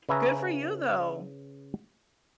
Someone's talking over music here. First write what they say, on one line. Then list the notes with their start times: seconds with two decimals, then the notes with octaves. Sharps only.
good for you, though.
0.09 C#3 B4 E5 G#5 A#5